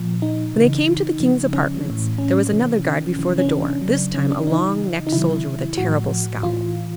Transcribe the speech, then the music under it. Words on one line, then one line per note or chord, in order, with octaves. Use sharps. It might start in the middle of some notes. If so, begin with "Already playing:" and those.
When they came to the King's apartments there was another guard before the door, this time a long-necked soldier with a terrible scowl.
Already playing: A#2 F3
D#4
C#3 E3
C#3 F3
C#4
A2 E3
C#4
C3 E3
C3 E3
C#4
D4
C#3 F#3
C#4
D4
C#3 E3 D#4
D#4
C3 D#3 F#3 E4
A2 F3 F#4
A2 E3 F4